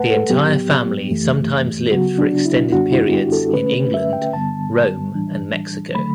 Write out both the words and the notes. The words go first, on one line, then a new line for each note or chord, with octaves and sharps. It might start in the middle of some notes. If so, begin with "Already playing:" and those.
The entire family sometimes lived for extended periods in England, Rome and Mexico.
Already playing: E2 B2 A3 B4 F#5 A5
A4
A2 F#3 B3 G4
F#2 E3 A3
C#3 F#3 B3 F#4
D4
E4
F#2 D3 G3 B3 D4 F#4
E4
G4
A4
D3 A3 C#4 B4
E5
G5
G2 D3 G3 B3 A5
A2 E3 G3 D4
D3 F#3 A3 B5